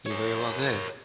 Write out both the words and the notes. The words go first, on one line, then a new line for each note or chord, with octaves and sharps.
You very well could.
A#4 C#5